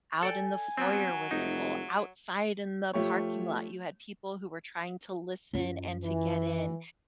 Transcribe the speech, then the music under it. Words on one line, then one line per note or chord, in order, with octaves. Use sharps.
out in the foyer was full, outside in the parking lot, you had people who were trying to listen and to get in.
A4 D5 G5 G#5
F#3 B3 C4
F1 G3 G#3 D#4 E5
F3 A3 G4 C#5
F#2 F4
E3